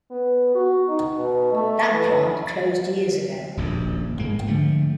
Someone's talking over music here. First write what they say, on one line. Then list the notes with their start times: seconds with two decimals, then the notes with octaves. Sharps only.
That plant closed years ago.
0.11 B3
0.54 F#4
0.88 D#4
1.17 B2
1.52 A3
1.91 E3
3.57 D#1 A#1 F#2
4.19 G#2 G#3 A#3
4.47 D3 F3 A3